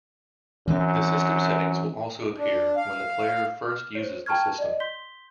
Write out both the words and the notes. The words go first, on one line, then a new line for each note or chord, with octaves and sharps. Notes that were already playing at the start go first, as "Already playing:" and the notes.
The system settings will also appear when the player first uses the system.
F#2 E3 C4
D4
F5
F6
C5 C#5
G5 A5 A#5 C#6 F6 G#6
D5 D#5
C6 G6 B6 G7